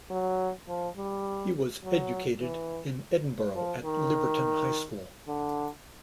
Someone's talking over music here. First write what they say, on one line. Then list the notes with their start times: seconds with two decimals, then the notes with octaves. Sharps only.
He was educated in Edinburgh at Liberton High School.
0.10 F#3
0.68 F3
0.97 G3
1.83 F#3
2.40 E3
3.55 F3
3.84 D#3
5.28 D3